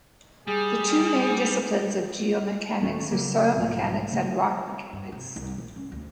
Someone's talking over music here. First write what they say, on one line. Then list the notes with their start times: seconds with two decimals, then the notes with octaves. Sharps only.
The two main disciplines of geomechanics are soil mechanics and rock mechanics.
0.47 G3 G#4
2.81 D1 D#2 A3 C#4
3.11 C#3 F3 F#3 A#3
3.55 B1 G#2 F3 A3
4.12 C#3 A3 A#3
4.93 G2
5.12 C3
5.36 C2
5.58 A#1
5.76 C#4
5.92 D2